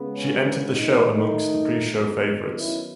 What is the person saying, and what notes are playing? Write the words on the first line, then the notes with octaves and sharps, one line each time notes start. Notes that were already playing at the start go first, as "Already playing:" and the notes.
She entered the show amongst the pre show favourites.
Already playing: C#3 G#3 B3
C#4
D#3 A3 D#4
D#3 F#3 B3
C#4 E4